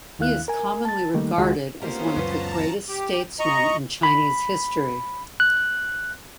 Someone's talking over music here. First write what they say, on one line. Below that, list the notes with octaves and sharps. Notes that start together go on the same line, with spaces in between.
He is commonly regarded as one of the greatest statesmen in Chinese history.
D#2 D#3 E4 F5 F#6
A#4 G#5
A5 A6
D#3 G3 A3 A#3 D#4
C#2 D#3 G#3 F4 F#4
A#3 B3 C#4 F4 G4 A#4 C5
C#2 F#2 B3 C#4 A5 A#5
G4
D#5 A#5 C#6
B5
F#6